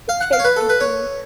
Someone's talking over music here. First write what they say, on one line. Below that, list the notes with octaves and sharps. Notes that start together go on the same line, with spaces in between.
take issue
F5
F#5
F5
C#5
B4
A4
B4
C#5